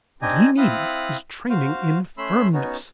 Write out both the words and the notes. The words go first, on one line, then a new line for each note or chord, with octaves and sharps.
What he needs is training in firmness.
C4 D4 D#4 G4 D#5 G#5
C4 E4 F5 B5 D#6 F#6
F#4 C5 F5
A3 C#4 B5 C6 E6
B3 C#4 D#4 F#4